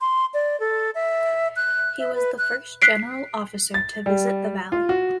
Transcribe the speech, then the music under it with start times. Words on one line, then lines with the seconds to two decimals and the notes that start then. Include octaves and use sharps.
He was the first General officer to visit the valley.
0.01 C6
0.34 D5
0.60 A4
0.95 E5
1.56 F#6
1.99 E5
2.15 B4
2.38 F#6
2.82 F#6 B6 C7 D7
3.74 A6
4.06 G3
4.72 F4
4.89 F#4